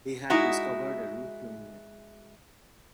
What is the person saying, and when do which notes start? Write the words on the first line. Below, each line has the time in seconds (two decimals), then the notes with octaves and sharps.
He had discovered a route to India.
0.30 G#3 D#4 E4 F#4